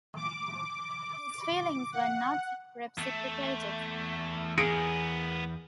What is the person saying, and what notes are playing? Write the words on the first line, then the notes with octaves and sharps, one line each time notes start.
His feelings were not reciprocated.
D6
F#5
E2 A3 E5
B3 G#4 A#4 A#6 C#7 D7